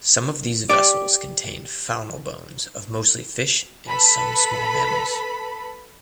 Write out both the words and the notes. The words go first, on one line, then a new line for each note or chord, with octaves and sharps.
Some of these vessels contained faunal bones of mostly fish and some small mammals.
G4 D5
A4 B4 B5